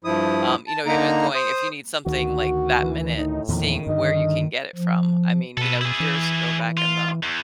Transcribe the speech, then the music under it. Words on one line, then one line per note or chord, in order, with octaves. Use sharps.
um, you know, even going if you need something, like, that minute, seeing where you can get it from I mean, you know, years ago back, in the I
G2 F3 E4 D#6
A5
D3 A#3 D#4 A#5
C5 D#6
D2 D#3 F#4
E3
A2 D#4
E2 A#2 D#3 F3
G2 D3 D#5
F3
B2 A4 B4
E4 G#4
E3
F4
E2